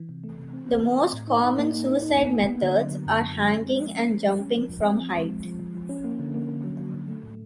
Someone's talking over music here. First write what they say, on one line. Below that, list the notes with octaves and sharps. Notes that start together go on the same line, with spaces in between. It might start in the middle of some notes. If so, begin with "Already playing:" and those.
The most common suicide methods are hanging and jumping from height.
Already playing: E3
C3
A3
C3
C4
C4
A3
C4
A2
D#4
D#4
A#3
D#4
D#4
D#4
A#3
B3
B3
D3
F#3
F#3
F#2
D3
F#3
C#4
G#3
F3
C#4
G#3
G#3
C#4
F3
F3
C4
F3
G#3
F3
F3
F3
F3
C#4
A#3
D3
A#3
A#3
F#3
F#3
D3
A3
A2